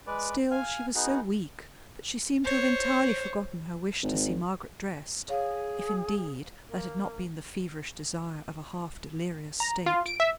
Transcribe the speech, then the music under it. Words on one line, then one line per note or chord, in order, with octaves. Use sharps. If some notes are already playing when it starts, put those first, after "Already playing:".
Still she was so weak that she seemed to have entirely forgotten her wish to see Margaret dressed--if, indeed, that had not been the feverish desire of a half-delirious state.
G#3 B4 D5
F5 G#5 F6
B3 D#4 F#4 G#4
C5 C#5
G#1
G#4 C#5 F5
A#3
A#5
F4
D7
E5